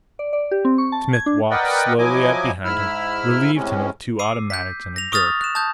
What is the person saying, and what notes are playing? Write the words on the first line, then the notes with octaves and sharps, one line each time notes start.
Smith walked slowly up behind him, relieved him of two automatics and a dirk.
D5
D5
G4
C4
C#6
A5
G#6
D4
A#4 B4 D5 D#5 F#5 G5
F3 F#3 E4 D#5 G#5 D6
G#2 E4 B5 E6 F6
A2 C3 G#3 C#4
D6 E6 C7 D#7
G6 B6
A#6 F7
C#6 D#6 F6 A6 F7
F#6 E7
A5 D#6 G6